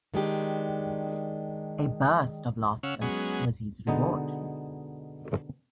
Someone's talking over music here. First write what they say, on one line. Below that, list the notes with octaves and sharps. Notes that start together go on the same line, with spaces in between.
A burst of laughter was his reward.
D#3 G#3 D4 G4
C#3 C#4 F5 F#5 E6
F#3 G#3 B3 C#4 G#4
B2 D3 G#3 B3 D#4